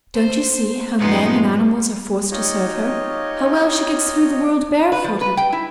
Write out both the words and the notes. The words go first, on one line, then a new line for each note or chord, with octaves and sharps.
Don't you see how men and animals are forced to serve her; how well she gets through the world barefooted?
C5
F#2 A2 F3 G#3 B3 D#4
D#4 F4 G4 C#5 D#5
B4
F3
B4
G5
E4